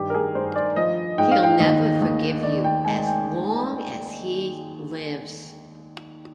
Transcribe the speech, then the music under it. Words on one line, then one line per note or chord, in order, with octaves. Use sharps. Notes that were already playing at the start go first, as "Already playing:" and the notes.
He'll never forgive you as long as he lives.
Already playing: G2 D#3 G4
A#4
G#4
G2 C5
D5
F3 D#5
G#2 G5
F5
G5
D#2 D#5
D#2
D#3 D5
G5
G#3 G#5
G5